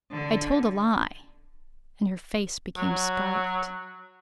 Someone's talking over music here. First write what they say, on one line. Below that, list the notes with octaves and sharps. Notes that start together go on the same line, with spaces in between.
'I told a lie;' and her face became scarlet.
D3
F#3